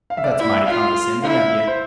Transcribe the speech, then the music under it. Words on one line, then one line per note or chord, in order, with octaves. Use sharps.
"That's mighty condescending of you!"
F5
E5
D5
E5
E4
F4 F5
E4 F5
C5